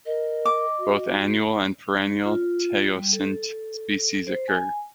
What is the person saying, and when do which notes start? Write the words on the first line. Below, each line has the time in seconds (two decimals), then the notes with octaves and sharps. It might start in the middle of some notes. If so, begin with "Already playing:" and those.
Both annual and perennial teosinte species occur.
0.06 A#4 D#5
0.45 D6
0.79 F#4
2.25 F4
2.95 G3
3.13 A4
4.27 C5
4.48 G#5